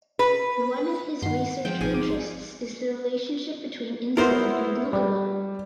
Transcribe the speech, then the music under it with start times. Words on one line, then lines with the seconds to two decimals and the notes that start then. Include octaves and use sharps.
One of his research interests is the relationship between insulin and glucagon.
0.19 B4
1.22 G2 D#3 F#5 C6
1.65 F3 G#3 G5
1.81 A1 C3 D#4 G#4 G#5
1.94 G#1 D6 D#7
4.17 B3 E4 A#4 C5
4.93 G3